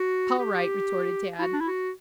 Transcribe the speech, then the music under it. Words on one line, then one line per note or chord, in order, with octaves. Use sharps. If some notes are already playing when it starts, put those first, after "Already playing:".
"All right," retorted Tad.
Already playing: F#4
G4
E4
F#4
D4
E4
F#4